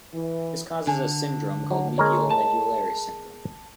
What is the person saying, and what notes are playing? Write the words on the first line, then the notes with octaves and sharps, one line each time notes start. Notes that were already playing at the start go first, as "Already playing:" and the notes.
This causes a syndrome called medial medullary syndrome.
E3
D3 G#5
F#3
G#3 A#4 C#5
A5